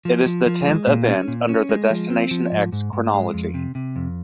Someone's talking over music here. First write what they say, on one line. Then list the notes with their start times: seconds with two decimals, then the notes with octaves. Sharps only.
It is the tenth event under the Destination X chronology.
0.05 F3
0.26 F3
0.46 F3
0.66 G#3
0.87 A#2
1.08 C#4
1.28 A#2
1.49 C#4
1.69 G#3
1.90 F3
2.10 C4
2.31 F3
2.52 G#2
2.73 G#2
2.93 G#2
3.14 G#3
3.34 F2
3.54 C3
3.75 C3
3.96 F2